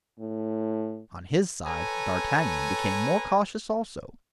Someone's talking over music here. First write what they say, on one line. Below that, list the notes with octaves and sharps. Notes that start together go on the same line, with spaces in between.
On his side D'Artagnan became more cautious also.
A2
A4 B4 C#5 G#5 A#5